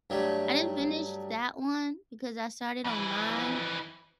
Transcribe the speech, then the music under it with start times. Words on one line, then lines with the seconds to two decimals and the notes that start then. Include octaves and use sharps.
I didn't finish that one because I started online,
0.10 G2 F#3 G3 A3
2.84 F2 E3